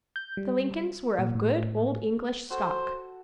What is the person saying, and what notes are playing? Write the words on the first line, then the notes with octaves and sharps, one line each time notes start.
The Lincolns were of good old English stock.
G6
G3
A#2
A2
F#4 A4 C5